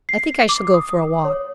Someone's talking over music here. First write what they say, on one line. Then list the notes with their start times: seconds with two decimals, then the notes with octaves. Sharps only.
"I think I shall go for a walk."
0.09 C7
0.49 D6
0.74 D#6
1.25 C#5